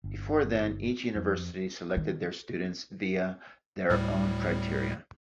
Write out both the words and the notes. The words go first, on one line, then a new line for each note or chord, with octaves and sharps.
Before then each university selected their students via their own criteria.
G1
F2
D#3
D2 A2 G3